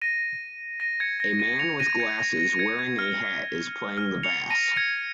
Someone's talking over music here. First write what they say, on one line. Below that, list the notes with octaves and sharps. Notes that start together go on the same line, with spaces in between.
A man with glasses wearing a hat is playing the bass.
A#6 D#7
A#6 D#7
G#6 C#7
A#6
A#6 D#7
C#7 F7
A#6 D#7
G#6 C#7
A#6
A#6
G#6 C#7
G#6
F6
F6
C#7 F7
A#6 D#7
G#6 C#7